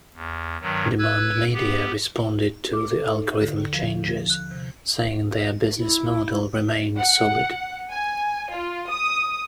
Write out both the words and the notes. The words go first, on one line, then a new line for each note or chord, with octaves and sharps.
Demand Media responded to the algorithm changes, saying their business model remained solid.
E2
G2 D#3 F#3
B4 E6 F#6 G#6
B3 G4
D6
A4
D#4
D3
D#2
F3
F3
F#6
C3
E4
F#5
G#5
F4
D#6